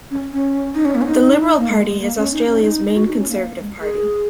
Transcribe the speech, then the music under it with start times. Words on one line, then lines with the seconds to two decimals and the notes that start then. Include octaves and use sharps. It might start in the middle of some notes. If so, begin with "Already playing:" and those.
The Liberal Party is Australia's main conservative party.
0.11 C#4
0.32 C#4
0.75 D#4
0.85 C#4
0.95 A#3
1.02 C#4
1.07 D#4
1.58 A#3
1.70 G#3
1.85 G#3
2.01 A#3
2.17 C#4
2.33 D#4
2.47 C#4
2.60 D#4
2.88 D#4
2.96 F#4
3.07 D#4
3.18 C#4
3.28 A#3
3.59 G#3
3.82 G#4